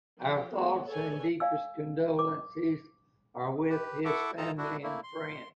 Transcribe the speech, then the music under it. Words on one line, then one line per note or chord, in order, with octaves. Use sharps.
Our thoughts and deepest condolences are with his family and friends.
F3 G4
G#3 A3 B3 F#4 G#4
G#4 A4 B4 C#5 D5 G#5
D5 F5 G#5 E6
D6
G4 B4
E4 A4 E5 F#5 C#6 D6
D#4 F4 A4 A5 A#5
D4 E4 F#4
A3 A#3 E4
C6